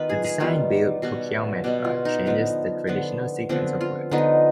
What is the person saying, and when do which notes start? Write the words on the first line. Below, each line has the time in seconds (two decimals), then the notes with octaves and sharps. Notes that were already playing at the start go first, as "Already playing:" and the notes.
The design-build procurement route changes the traditional sequence of work.
Already playing: D#3 B3 F4 B4
0.09 G#4
0.24 G#4
0.40 D#3 G3 B3 F4
1.02 B2 G3 B3
1.64 B2 G3 B3 G4
1.85 F4
2.05 D#4
2.25 D3 F3 B3
2.87 D3 F3 B3
3.49 D3 F3 B3 C4
3.81 F4
4.11 D3 F3 B3 D#4